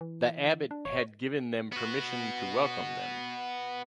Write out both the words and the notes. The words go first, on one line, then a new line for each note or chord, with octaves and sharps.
The Abbot had given them permission to welcome them.
E3
D4
G#1 C#5
B3 F#4